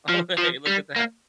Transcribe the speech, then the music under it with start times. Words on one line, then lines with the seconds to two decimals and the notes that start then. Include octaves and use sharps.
Oh, hey, look at that.
0.09 F3
0.38 F3
0.67 G3
0.96 A#3